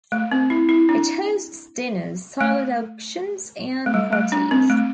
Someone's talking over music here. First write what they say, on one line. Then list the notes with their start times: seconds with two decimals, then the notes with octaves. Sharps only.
It hosts dinners, silent auctions and parties.
0.12 A3
0.31 C4
0.50 E4
0.69 E4
0.89 D4
2.41 A3
3.86 A3
3.94 G3
4.12 A3
4.32 D4
4.51 C4
4.70 A3